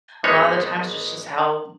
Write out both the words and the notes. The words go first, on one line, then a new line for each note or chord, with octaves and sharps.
a lot of the times, that's just how,
G#1 G#3 A#3 B3 D#4 C#5